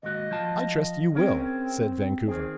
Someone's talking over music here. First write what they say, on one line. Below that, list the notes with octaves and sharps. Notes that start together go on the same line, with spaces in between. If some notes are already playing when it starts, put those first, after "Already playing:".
"I trust you will," said Vancouver.
D#2 G#2 F#4 D#5
F3 F4 A5
C4 C#4 G#4 A#4
D#3 C4 G#4